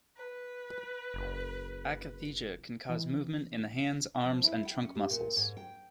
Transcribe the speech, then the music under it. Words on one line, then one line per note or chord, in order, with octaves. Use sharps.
Akathisia can cause movement in the hands, arms, and trunk muscles.
B4
F#1
E3
F3
E4
G5
C#4
G4
A#2
G#2
G5